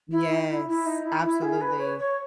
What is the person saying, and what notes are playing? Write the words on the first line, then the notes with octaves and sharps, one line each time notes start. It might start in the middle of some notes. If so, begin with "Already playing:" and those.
Yes, absolutely.
E4
D#4
E4
E4
D#4
E4
E4
G#4
B4
C#5
C#5